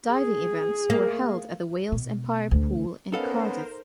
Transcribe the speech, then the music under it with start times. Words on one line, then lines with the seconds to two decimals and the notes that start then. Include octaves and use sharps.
Diving events were held at the Wales Empire Pool in Cardiff.
0.11 G#4
0.90 A#3
1.92 B2
2.51 D2
3.12 B3 C#4 D#4 A4 A#4 C5 F5